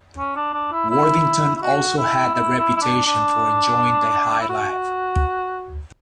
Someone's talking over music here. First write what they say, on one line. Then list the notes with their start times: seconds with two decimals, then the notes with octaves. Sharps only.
Worthington also had the reputation for enjoying the high life.
0.18 C#4
0.36 D4
0.54 D4
0.72 E4
0.90 E4
1.56 E4
1.62 F#4
1.98 E4
2.34 E4
2.58 E4
2.76 E4
2.81 D4
3.06 D4
4.41 E4
4.50 F#4